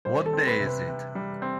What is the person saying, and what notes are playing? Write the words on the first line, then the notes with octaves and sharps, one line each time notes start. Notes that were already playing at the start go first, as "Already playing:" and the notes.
What day is it?
G3 C5
A4
C4
B4
C3
B4
C3
G3
C4